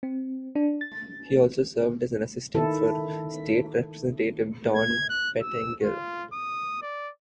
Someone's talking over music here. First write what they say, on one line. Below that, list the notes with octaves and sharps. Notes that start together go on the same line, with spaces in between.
He also served as an assistant for State Representative Dawn Pettengill.
C4
D4
A6
D#3 E4 A4
G#6
F#6
E6
F4
D#6
D5